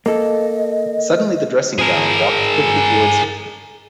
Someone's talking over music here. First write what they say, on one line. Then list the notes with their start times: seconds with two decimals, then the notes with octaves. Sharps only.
Suddenly the dressing-gown walked quickly towards him.
0.06 A#3 A4 D#5
1.79 G#4 A#4